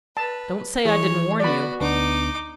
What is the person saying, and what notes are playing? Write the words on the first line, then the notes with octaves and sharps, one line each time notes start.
Don't say I didn't warn you.
B4 A5
E3 G#4 C#5
B3 F#4 D5 B5
D2 B3 D4 D#4 D6